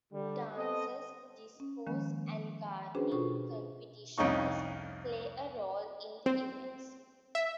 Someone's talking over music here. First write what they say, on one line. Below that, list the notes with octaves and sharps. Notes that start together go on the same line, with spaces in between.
Dances, discos and gardening competitions play a role in the events.
D3 G3
B3 C4 A4 D#5
C#4
D#3 F3 G#3 A#3 C#4
C#4 D4 F#4 G#4 B4 C5
B2 F4 A4 C5 C#6
C2 F2 C#4 D#4 C#6
C4
E5